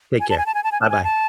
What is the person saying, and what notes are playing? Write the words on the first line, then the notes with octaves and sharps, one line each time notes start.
Take care. Buh-bye.
G#5
A5
G#5
A5
G#5
A5
G#5
A5
G#5
A5